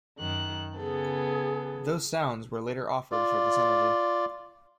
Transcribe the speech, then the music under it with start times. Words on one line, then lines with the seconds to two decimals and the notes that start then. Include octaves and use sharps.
Those sounds were later offered for the Synergy.
0.18 F#2 D#3 F#6
0.77 C#3 B3 G#4 A4
3.12 F4 D5